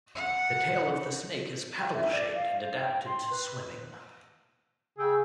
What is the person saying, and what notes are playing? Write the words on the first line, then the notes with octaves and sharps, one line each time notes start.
The tail of the snake is paddle-shaped and adapted to swimming.
F#5
G5
E5
D5
F5
C5
G5
C6
B4
C#3 G#4 G5 E6